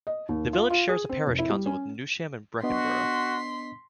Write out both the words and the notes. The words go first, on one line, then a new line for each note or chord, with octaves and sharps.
The village shares a parish council with Newsham and Breckenbrough.
D#5
D#2
F4
F4
G#4
C4
F1
E4
G3
C#4
B3 D4 F#4 D#5 C6 B6